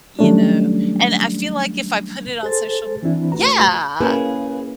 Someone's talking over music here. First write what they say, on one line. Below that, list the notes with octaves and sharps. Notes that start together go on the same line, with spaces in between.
You know? And I feel like if I put it on social m Yeah!
D#3 F#3 G3 A3 C#4 D4
G#4 A4 C5 A6
E3 C4 D4 E4
C#2 A3 F#4 B4 A#5
C#3 A#3 C#4 E4 G#4 B4